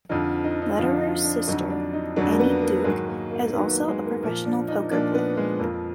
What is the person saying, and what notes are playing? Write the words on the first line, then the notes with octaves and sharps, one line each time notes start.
Lederer's sister, Annie Duke, is also a professional poker player.
F2 D3 F3 D#4
D#4
D#4
F2 D3 F3 F4
D#4
D4
F2 D3 F#3 D#4
D4
D#4
F2 D3 F#3 D4
A#3
B3
A#3
G#2 D#3 F#3 G#3
A#3
A#3
G#2 D#3 F#3 B3
A#3
G#3
A#3
A#2 F3 A#3
D4
D#4
A#2 F3 D4
B3
G#3
F2 F3 A#3